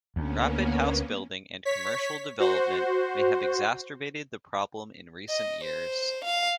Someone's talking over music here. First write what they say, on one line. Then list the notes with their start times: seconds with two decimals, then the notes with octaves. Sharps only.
Rapid house-building and commercial development may have exacerbated the problem in recent years.
0.16 D2 A#3 B3 C#4
1.65 C#5 B6
2.40 F#4 C5
5.29 D#5
5.64 C5
6.25 F5